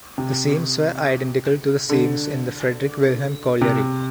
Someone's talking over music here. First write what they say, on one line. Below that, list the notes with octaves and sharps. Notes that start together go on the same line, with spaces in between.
The seams were identical to the seams in the Friedrich Wilhelm colliery.
C3
D3
C3